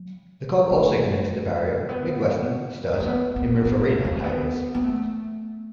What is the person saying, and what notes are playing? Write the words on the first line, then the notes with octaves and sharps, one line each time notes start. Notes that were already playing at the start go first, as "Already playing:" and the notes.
The Cobb also connects the Barrier, Mid-Western, Sturt, and Riverina highways.
Already playing: F#3
A3
B3
F#3
A3
B3
B3
A3
B3
A3
A3
B3
B3
A3